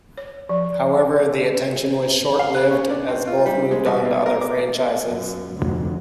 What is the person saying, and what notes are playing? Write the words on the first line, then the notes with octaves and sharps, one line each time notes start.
However, the attention was short lived, as both moved on to other franchises.
C#5
F3
F5
F#6
C#4
D4
C4
F4
G3
G#3
C2
B2
A#4
D6
F#2
F1 D2